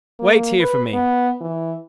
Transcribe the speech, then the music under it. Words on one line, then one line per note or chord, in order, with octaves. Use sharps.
"Wait here for me."
A#3
B4
B3
E3